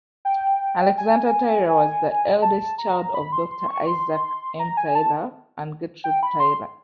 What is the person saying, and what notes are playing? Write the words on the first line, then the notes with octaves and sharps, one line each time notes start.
Alexander Taylor was the eldest child of Doctor Isaac M. Taylor and Gertrude Taylor.
G5
G#5
A5
A#5
B5
C6
C6
C#6
C6
A#5
G#5
A5
G5
B5
C6